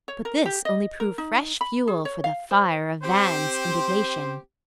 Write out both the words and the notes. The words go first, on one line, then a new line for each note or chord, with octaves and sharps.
But this only proved fresh fuel for the fire of Van's indignation.
C#5
A#4
G4
D#5
A#4
D#4
B5
G#4
C#5
F5
C5
C4 G4 C5